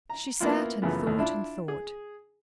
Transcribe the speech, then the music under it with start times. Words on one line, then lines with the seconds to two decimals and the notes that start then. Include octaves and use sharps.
She sat, and thought, and thought.
0.10 A#5
0.40 A#3 B3 C#4 E4 F4
0.82 F#2 C#3 E3 F3 A3 B3
1.07 D#2 A2
1.18 D4 E4 F4 E5
1.68 G#4